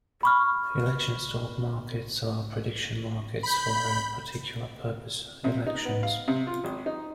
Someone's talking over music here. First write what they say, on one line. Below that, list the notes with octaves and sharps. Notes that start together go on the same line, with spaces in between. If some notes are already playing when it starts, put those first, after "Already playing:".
Election stock markets are prediction markets for a particular purpose: elections.
B5 C#6 F6
B5 G6
C3
D#4
B3
F5
C3
F4
G#1
D#4